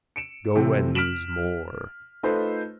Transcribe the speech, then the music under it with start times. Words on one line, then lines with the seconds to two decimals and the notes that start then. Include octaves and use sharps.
Go and lose more.
0.16 C#7 D7 E7
0.55 C3 E3 A3 C4
0.95 F6 B6 D7 E7 F#7
2.23 A3 D#4 F4 A4 B4 C5